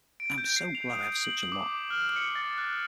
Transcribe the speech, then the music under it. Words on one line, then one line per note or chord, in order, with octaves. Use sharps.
I’m so glad I have such a lot.
D7
G6
C7
F7
D#6
F#7
D6
F6
C#7
A6
F#6